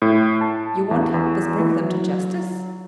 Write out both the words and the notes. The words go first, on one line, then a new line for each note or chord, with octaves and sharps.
"You won't help us bring them to justice?"
A2
A5
E2
E2
E3
F#3